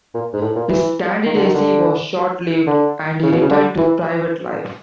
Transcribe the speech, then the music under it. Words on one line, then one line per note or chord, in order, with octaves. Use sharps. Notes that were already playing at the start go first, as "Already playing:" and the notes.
His candidacy was short-lived and he returned to private life.
A#2
G#2
A2
A#2
E3
D#3
D3
D#3
D3
D3
C#3
B2
C#3
D3
E3